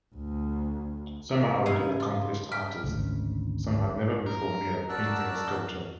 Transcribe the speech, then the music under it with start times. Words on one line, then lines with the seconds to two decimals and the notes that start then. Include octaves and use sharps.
Some are already accomplished artists; some have never before made a painting or sculpture.
0.15 D2
1.66 C#3 D#4 E4 G4 E5 C7
2.00 F4
2.52 G5 F6 B6
2.84 G#1 D2 C#3
4.26 A#4
4.89 F#4 A#4 D5 A5 E6 F#6